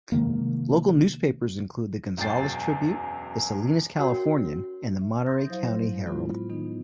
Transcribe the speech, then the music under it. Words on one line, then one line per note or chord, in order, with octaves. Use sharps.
Local newspapers include the "Gonzales Tribune", the "Salinas Californian" and the "Monterey County Herald".
C3 D#3 G#3 A#3
E1 F#2 G5 A6 C7
C#4 F#4 A#4 C#5 F#5
E5
C6 D#6 G6 A6 A#6
F3 F#3 E4 C5 F5
G#3
A2 B3 E4 F4 B5
D#3 B3 D#4